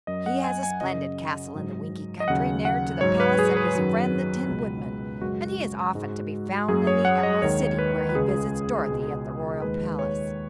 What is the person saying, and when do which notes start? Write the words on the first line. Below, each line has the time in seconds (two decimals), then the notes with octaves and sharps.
"He has a splendid castle in the Winkie Country, near to the palace of his friend the Tin Woodman, and he is often to be found in the Emerald City, where he visits Dorothy at the royal palace."
0.07 F#2 F#3 D#5
0.26 F#5
0.44 G#5
0.63 G#5
0.81 F#2 C#3 F#3 D#5
1.55 G#2 F#3
2.20 D#5
2.28 D#2 C#3 F#3 F#5
2.65 F#5
3.01 G#2 F#3 C#5
3.20 B4
3.39 G#4
3.57 B4
3.75 F#2 D#3 F#3
4.48 C#2 B2 G#3
5.21 F#2 C#3 G#3 F#4
5.95 G#2 G#3
6.68 F#2 F#3 G#4
6.87 C#5
7.05 F#5
7.23 D#5
7.42 D#2 D#3 G#3 C#5
7.79 B4
8.09 B4
8.15 C#2 C#3 G#3 G#4
8.89 C#2 B2 G#3
9.62 D#2 D#3 G#3 B4
9.99 C#5